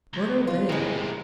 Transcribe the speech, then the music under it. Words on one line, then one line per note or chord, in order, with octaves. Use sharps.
"What are they?"
C#2
F4
D#2 A2 C3 G#3 G4 A#4